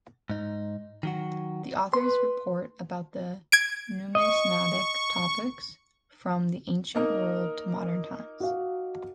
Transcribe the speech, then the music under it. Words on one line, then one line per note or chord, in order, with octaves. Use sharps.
The authors report about the numismatic topics from the ancient world to modern times.
G#2 D#4
D#3 F#3 F#4
B4 C6
G#6 D7
D#5 C#6
A#3 D#4 A#4
F#4 F5